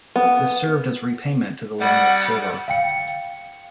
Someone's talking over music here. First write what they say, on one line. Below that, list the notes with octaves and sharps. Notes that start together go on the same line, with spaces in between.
This served as repayment to the loan of silver.
B3
G3 F#5
F5 G5 C#7